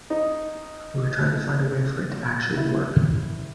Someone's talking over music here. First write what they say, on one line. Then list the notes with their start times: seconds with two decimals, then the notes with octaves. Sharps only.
We were trying to find a way for it to actually work...
0.10 D#4
2.57 E4